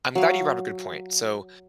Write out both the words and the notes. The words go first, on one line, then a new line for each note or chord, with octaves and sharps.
I'm glad you brought up a good point. So,
F#3 F5